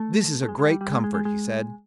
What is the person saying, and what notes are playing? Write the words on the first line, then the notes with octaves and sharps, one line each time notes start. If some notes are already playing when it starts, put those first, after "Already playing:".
"This is a great comfort," he said.
Already playing: A3
A3
G#3
G#3
G3
G3
G#3
G#3
G#3
G#3